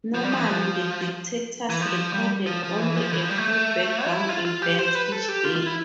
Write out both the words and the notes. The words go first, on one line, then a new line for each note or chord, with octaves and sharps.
Normally, the detectors recorded only a few background events each day.
F3
G3
F3
E3
F3
E3
F3
G3
F3
F3
E3
F3
E3
F3
G3
A3
F4
E4
F4
F4
G4
C5
B4
A4
G4
F4
F4
E4